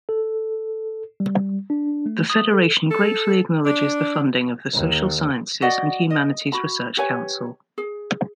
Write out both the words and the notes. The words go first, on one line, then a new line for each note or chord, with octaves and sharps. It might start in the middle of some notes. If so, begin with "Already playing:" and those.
The Federation gratefully acknowledges the funding of the Social Sciences and Humanities Research Council.
A4
G3
D4
A3
D#6
A4
A4
D4
D#2
F#4 D5 D#5 F#5
D#5
F#4 B5
G4 B4 C#5 G#5
G#4